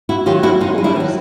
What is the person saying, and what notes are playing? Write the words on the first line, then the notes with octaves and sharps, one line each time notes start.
Of course.
E4 F#4
D#3 F#3 F4 G4
E4 F#4
F#2 D#4 F4
D#4
D4 E4
D#3 F#3